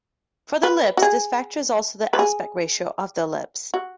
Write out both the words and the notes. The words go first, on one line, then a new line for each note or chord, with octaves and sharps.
For the ellipse, this factor is also the aspect ratio of the ellipse.
B4
F#4
G#4
B4
G#4
F#4